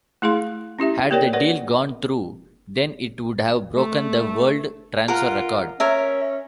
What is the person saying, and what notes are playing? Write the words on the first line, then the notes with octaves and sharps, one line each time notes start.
Had the deal gone through, then it would have broken the world transfer record.
A3 E4 G#4 F5 C6
C#4 E4 G4 E5
A#3 G4 A#4 C#5 D5 G5
A#4 B4 D5 F#5
A3
F4 A#4 F#5
C#4 A#4 C#5 E5